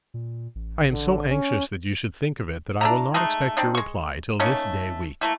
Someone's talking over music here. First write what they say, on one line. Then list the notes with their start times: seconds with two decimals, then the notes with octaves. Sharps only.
I am so anxious that you should think of it that I will not expect your reply till this day week.
0.14 A#2
0.55 A1
0.90 D3
1.30 C#4
2.81 D4 E4 A#5
3.14 G#3 A3 D#4 G#4
3.57 C4 D4 D#4
3.75 G#3 C#6
4.40 A3 A#3 C#4 D#4
5.21 E3 A3 A#3